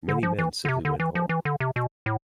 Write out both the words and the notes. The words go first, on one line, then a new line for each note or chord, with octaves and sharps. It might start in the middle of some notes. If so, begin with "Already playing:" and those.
Many men simply went home.
D3
F3
E3
D3
C3
D3
E3
F3
E3
D3
C3
B2
A2